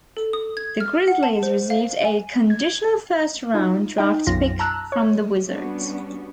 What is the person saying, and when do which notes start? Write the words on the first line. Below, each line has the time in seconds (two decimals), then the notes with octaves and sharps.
The Grizzlies received a conditional first round draft pick from the Wizards.
0.17 A4
0.33 D#6
0.57 G#6
0.80 F6
1.08 F#5
1.23 A5
1.43 C5
1.70 F5
2.05 G#5
2.50 G#6
3.55 D#4 F4
3.98 D#4 G5
4.27 B1 F#2 F4 A#6
4.59 A5 A#5 E6 F#6
4.92 C#5
5.47 G3 B3 C#4 D4 F#4